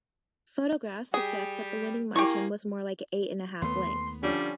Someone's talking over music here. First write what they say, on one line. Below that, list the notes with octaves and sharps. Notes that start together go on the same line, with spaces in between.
Photographs suggest that the winning margin was more like eight and a half lengths.
G3 G4 G#4
A#3 E4 G4 G#4 A#4 C#6
D#2 A3 B3 C6
D3 F3 G3 C#4 D4